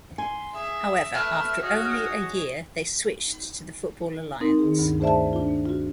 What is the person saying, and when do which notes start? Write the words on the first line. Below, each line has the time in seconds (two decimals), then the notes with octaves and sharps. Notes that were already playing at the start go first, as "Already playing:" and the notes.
However, after only a year they switched to the Football Alliance.
0.18 G#5 C6
0.55 G#4 E5
1.15 A3 B4 F6
1.62 F#4 G#4 C#5 D#5
4.40 C4 D#4 A#4
4.59 D#3 G#4
4.78 D2 G2
5.00 A3 G#4 C5 D5 E5 A5
5.33 D4 F4
5.65 F4 F#4